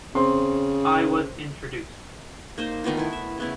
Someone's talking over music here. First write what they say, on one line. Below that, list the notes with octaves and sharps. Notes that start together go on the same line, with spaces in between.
I was introduced.
C#3 C4 C6
A#3 D#4 C5
D#3 A3 B3 F4
B3 E4
E5
C#3 B3 E4